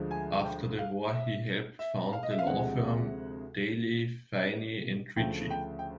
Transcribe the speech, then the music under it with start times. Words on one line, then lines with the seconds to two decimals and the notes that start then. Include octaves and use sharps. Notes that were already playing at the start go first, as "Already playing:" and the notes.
After the war he helped found the law firm, Daley, Phinney and Ritchie.
Already playing: D2 D3 F3 G#3
0.11 G#5
0.44 G5
0.79 F5
1.12 E5
1.79 E5
2.13 F5
2.23 D#5
2.31 E5
2.39 F5
2.47 D2 C3 F3 G#3 F#5
5.16 D2 C#3 F3 A3 G5
5.51 G5
5.79 G5